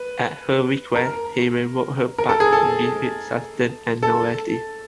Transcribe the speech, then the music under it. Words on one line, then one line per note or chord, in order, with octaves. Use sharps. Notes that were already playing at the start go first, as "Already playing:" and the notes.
At her request, he rewrote her part to give it substance and novelty.
Already playing: B4
A#4
A#4
A4
G#4
A4
A4